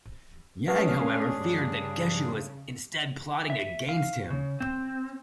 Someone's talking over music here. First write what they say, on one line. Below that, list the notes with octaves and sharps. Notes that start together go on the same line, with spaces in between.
Yang, however, feared that Geshu was instead plotting against him.
G#3 A3 C#4 D4 G#4 B4 F5
G2 C#3
E5
F5
C#3
C4